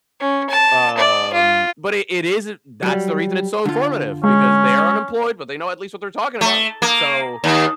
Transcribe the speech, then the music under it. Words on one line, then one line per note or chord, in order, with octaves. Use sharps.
Um, but it it isn't That's the reason it's so informative, because, they are unemployed, but they know at least what they're talking about. So,
C#4
A5
D5
F4
F#3 G3
D3 F4
G#3 C#4
A3
A#3
D#2